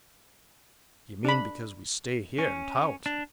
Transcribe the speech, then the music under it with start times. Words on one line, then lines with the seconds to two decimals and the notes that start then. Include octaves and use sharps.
"You mean because we stay here in Tarleton?"
1.25 D4 B5
2.39 C#4
3.06 D4